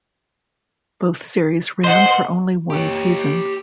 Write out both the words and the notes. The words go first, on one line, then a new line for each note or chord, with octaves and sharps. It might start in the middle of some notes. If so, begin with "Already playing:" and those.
Both series ran for only one season.
C5 D#5 F#5
G4 C#5